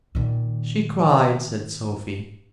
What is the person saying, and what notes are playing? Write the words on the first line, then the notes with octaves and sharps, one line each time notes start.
"She cried," said Sophie.
A#2 D#3